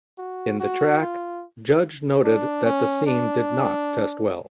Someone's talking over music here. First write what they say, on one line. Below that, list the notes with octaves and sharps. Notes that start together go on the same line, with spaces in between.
In the track, Judge noted that the scene did not test well.
F#4
F#4
F4
D4
C#4
D4